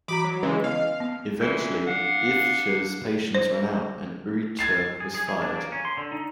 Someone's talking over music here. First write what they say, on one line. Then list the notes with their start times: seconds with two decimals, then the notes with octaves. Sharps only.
Eventually, Ivcher's patience ran out, and Urrutia was fired.
0.08 E3 F#4 A#5 B5 D6
0.24 F#3
0.43 C#3 E3 G#3 C#4 B4
0.64 B3 D#5 F5
1.00 B3
1.40 F2 D3 E3
1.86 D4 F5 F#5
3.35 C5
4.59 G#6 A6 C7
5.00 G#4
5.15 G#4
5.28 G#4
5.42 D4
5.55 A#3
5.72 C#4
5.85 C6
5.97 D3
6.12 D#4